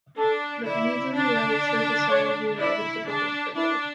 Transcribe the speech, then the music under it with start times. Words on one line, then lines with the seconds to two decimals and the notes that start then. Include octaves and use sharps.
The image on the right shows a side view of a typical crater.
0.17 D4 A4
0.65 E4 D5
1.14 D4
2.11 C#5
2.59 E4 D5
3.07 D4 G#4
3.56 D4 E4